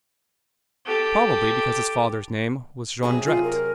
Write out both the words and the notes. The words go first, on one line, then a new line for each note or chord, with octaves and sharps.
Probably because his father's name was Jondrette.
G4 A4
C3 F#3 G#4
F4
A#4